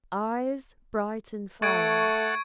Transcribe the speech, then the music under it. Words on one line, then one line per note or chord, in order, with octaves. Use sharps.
EYES--Bright and fiery.
A3 A4 F#5 C#6 G#6 D7